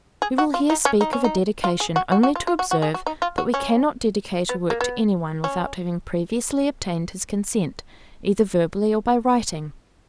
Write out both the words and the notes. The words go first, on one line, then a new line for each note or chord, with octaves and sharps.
We will here speak of a dedication only to observe, that we cannot dedicate a work to any one, without having previously obtained his consent, either verbally or by writing.
G#4
F#4
F4
D#4
C#4
D#4
C#4
D#4
F4
G#4
F#4
F#4
F#4
F4
F4
F#4
F#4
G#4
F#4
D#4
F4
F#4
C#4
B3
A#3
B3
C#4